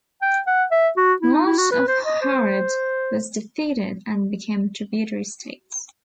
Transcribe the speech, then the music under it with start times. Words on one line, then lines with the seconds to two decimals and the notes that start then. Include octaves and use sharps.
Much of Harad was defeated and became tributary states.
0.22 G5
0.47 F#5
0.71 E5
0.97 F#4
1.22 E4
1.34 D#4
1.46 E4
1.58 F#4
1.72 B4
1.88 C5
2.05 D#5
2.22 C5